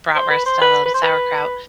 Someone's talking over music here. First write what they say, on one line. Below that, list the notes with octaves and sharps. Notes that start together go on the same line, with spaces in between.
bratwurst. I love sauerkraut.
C5
B4
C5
B4
B4
C5
B4